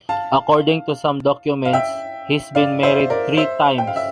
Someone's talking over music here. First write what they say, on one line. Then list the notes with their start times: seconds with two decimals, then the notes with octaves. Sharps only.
According to some documents, he's been married three times.
0.09 F5 A5
1.65 F5
1.73 E5 G5
2.55 D5 F5
2.83 C5 E5
3.10 A#4 D5
3.37 C5 E5
3.78 G5
3.87 F5
3.96 E5